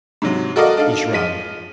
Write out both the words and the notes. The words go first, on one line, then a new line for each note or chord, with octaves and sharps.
He shrugged.
G#2 C3 F#3
F#4 A4 A#4 D5 D#5 F5
D4 D#4 A4 F5
F3 G#3 B6 D#7